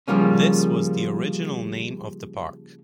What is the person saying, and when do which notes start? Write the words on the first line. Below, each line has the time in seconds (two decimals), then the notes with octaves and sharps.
This was the original name of the park.
0.08 C#3 F3 G3 A#3 C#4